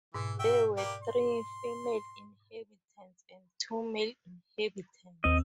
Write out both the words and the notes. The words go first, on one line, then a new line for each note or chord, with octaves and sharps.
There were three female inhabitants and two male inhabitants.
G#2 B2 E3
F#4 E5 G5
A#3 G4 B4 D5
C6
D#2 C4 D#5 E6